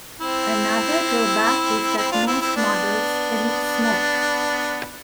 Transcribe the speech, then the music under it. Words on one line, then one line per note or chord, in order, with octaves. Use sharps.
Another drawback is that most models emit smoke.
C4 E4
C4 E4
D4 F4
C4 E4
C4 E4
B3 D4